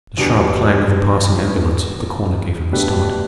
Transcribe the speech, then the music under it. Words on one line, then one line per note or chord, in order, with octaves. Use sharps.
The sharp clang of a passing ambulance at the corner gave him a start.
E2 B2 G3 D4
B2 A3 D4 G4 B4